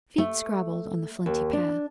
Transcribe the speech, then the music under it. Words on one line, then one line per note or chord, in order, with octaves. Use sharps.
Feet scrabbled on the flinty path.
A3
D#2
D4